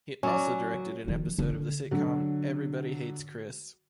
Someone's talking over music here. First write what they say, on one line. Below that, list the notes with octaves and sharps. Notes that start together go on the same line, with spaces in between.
He also directed an episode of the sitcom "Everybody Hates Chris".
F#3 C#4 D5
D#3 F3
D3
D3 F#3